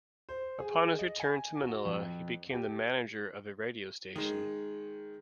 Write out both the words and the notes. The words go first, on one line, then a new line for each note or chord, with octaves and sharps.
Upon his return to Manila, he became the manager of a radio station.
C5
G#4
D#5
G#5
F#4
F2
G4
D#3 G#3